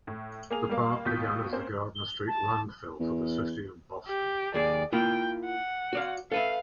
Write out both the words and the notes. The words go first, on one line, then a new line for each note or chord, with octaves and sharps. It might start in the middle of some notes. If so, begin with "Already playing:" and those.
The park began as the Gardner Street Landfill for the city of Boston.
A2
A#3 G#4 F7
G3 A#3 F5
D#2 B2 F4 F5 G6 B6
A#3 C4 C#4 C5
G7
A5
E2
G4
D#2 G#4 D5 G#5
A#3 E4 F4 G5
F#5
F#4 D5 F5
A4 B4 E5 F5